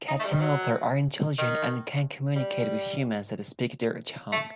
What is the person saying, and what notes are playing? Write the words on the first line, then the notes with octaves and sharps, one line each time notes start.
Cats in Ulthar are intelligent and can communicate with humans that speak their tongue.
D#4
A3
G3
D#3
F#3
D#3
G3
A3